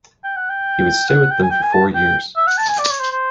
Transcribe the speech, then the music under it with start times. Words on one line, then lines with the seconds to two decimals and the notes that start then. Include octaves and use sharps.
He would stay with them four years.
0.24 G5
0.36 F#5
0.50 G5
1.09 F#5
1.31 G5
1.43 G#5
1.51 G5
1.62 G#5
1.73 A5
1.95 G5
2.37 E5
2.47 F#5
2.58 A5
2.69 G#5
2.79 D5
2.90 C#5
3.00 C5
3.11 C5